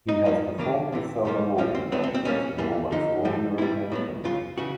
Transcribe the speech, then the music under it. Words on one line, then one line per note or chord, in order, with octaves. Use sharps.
He has performed his solo organ concerts in almost all European countries.
D#4
A2 F3 A#3
E2 C#3 F#3 A#3 D4
D2 C3 E3
G#2 D#3 G3 A#3
B1 A2 F3 C#4
C4
A2 F#3 B3 C4
C4
C4
C2 A#2 G3 A#3 C#4
G#2 E3 G3 A#3
F2 D3 F3 D#4
G2 E3 G3
C2 C3 E3 G3 E4
A2 F#3 B3
F2 C#3 F#3 F4
C#3 E3 F#4